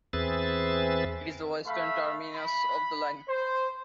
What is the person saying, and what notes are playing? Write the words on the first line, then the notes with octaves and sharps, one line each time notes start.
It is the western terminus of the line.
E2 C4 G#4 B4 E5 A6
A3 E5 F5 B5
B5
C5